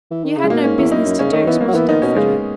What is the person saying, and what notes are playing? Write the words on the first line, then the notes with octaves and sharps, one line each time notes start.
"You had no business to do it," muttered Elfreda.
E3
D#3
C#3
G#3
B2 A#3
G#2 C#4
E2 E4
F#2 D#4
F#2
C#3 C#4
D#3 D#4
E3 B3
A#3
F#3
E3 B3
D#3 D#4
B2 C#4
C#3 G#3